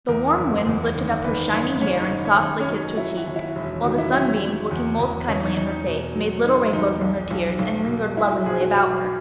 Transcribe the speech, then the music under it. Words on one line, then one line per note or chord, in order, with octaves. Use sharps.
The warm wind lifted up her shining hair and softly kissed her cheek, while the sunbeams, looking most kindly in her face, made little rainbows in her tears, and lingered lovingly about her.
E2 A#4
F#1
E2
D#3
D#3 B4
F#1 D#4
F#1 C#4
D#4
D#3 D#4
C#4
D#2 D#4
C#4
F#3 D#4
F#3 E4
F#4
D#2
E4
E1
D#3 F#4
E4
F#3 C#4
F#3
E2
E2
E2 C#4
D#4
E2 D#4
D#4
B2
F#3
F#3 D#4
E2 D#4
B1
B1
B1
B2
F#3 E4
F#4
B2 G#4
F#4
B2
F#3